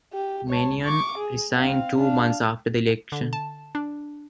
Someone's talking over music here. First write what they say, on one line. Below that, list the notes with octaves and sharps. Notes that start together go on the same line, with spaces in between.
Manion resigned two months after the election.
G4
C#5 A5
C#6 D6
G#4
C4 F5
D4 F5
D3
A5
D4